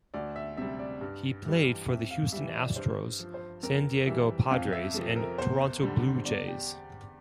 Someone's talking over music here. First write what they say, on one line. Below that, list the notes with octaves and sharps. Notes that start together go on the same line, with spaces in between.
He played for the Houston Astros, San Diego Padres, and Toronto Blue Jays.
D2 D5
E5
C3 G3 E5
D5
G2
E3 G3
F2 E5
F5
E3 G3 E5
D5
G2 C5
F3
C5
F2 A#4
E3 G3 E5
F2 F5
E5
C3 F3 A4
A#4
E2 C5
D3 G3
E2 D5
G4